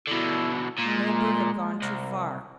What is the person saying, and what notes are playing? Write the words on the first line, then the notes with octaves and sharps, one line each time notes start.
Milburgh had gone too far.
B2 D3 E4
A#2 G#3
C2